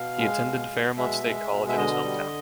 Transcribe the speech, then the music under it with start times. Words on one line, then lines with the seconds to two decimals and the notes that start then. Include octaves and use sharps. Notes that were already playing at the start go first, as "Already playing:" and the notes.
He attended Fairmont State College in his hometown.
Already playing: B2 F5
0.18 G#3
0.44 B2
0.71 B2
0.97 G#3 E5
1.24 G#3
1.50 B2
1.68 E5
1.77 D3 D#5
2.04 G3